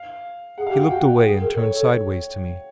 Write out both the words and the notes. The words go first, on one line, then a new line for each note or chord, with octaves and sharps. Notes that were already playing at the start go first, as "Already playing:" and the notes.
He looked away and turned sideways to me.
Already playing: F5
G#4 F#5
F5
G4
G5
F#4
F#5
F#4 G5
G#4
A#4
A4 C#5
A4